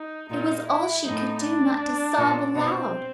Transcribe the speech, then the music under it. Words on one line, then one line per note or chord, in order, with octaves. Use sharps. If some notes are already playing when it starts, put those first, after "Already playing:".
It was all she could do not to sob aloud.
Already playing: D#4
A#2 D#4
E4
A2 D#4
D4
A#2
B2 C4